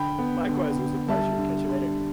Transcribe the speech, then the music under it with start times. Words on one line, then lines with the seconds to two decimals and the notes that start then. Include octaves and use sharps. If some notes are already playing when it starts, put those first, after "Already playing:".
Likewise, it was a pleasure, catch you later.
Already playing: D3 G5 B5
0.19 B3
0.49 D3
0.78 D3
1.08 G3 E5 A5
1.39 D3
1.69 D3